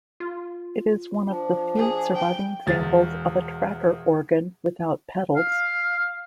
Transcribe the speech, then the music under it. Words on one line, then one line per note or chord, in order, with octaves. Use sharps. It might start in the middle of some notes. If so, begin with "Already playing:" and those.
It is one of the few surviving examples of a tracker organ without pedals.
F4
F3 D4
G#4
G5
E1 E2 A6
F5